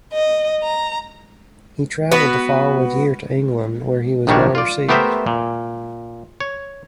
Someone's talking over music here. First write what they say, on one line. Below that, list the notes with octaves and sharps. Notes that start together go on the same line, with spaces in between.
He traveled the following year to England, where he was well received.
D#5
A#5
B3 F#4 B4
A#1 D#3 G3 D4 F#4 C#5
F4 D5
A3 B3 G4 A#4 C5 E5
A#2
C#5